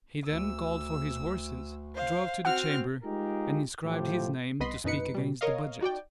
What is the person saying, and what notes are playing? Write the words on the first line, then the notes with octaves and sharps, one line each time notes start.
He then called for his horses, drove to the Chamber, and inscribed his name to speak against the budget.
D2 E6
C5 F5
C4 F#4 F#5 F6
G#3 D#4 F4 G4 G#4 A#4
A2 F3 G4
C2 B3 D#5 B5 C6
F#2 B2 D#4 B4 C#7
B2 G3
A#4 C#5 D#5 F5
D#4 F#4 D5 G5